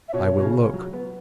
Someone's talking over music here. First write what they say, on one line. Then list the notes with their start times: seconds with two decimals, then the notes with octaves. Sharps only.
I will look.
0.09 E5
0.13 B2 C#5
0.38 B2
0.43 C#3
0.74 F#3
0.93 B3